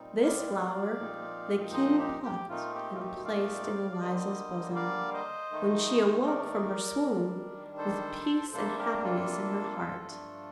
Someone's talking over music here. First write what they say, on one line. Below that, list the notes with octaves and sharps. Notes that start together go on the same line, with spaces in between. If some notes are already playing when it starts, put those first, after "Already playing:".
This flower the King plucked and placed in Eliza's bosom, when she awoke from her swoon with peace and happiness in her heart.
Already playing: A#2 G3 C4 D#4
D5 F5
A#2 F3 C4 D#4
C5 D#5
G4
G4
A#2 A3 C4 D#4 F4
G4
F4
G4
D5 F5
D5
D3 G3 A#3 C5 D#5
D5 F5
C5 D#5
D#3 A3 D#4
A#4 D5
D#3 G3 D4
A4 C5
C3 G3 A#3 D4 A4 C5
G4 A#4
F4 A4
G2 F3 A3 D4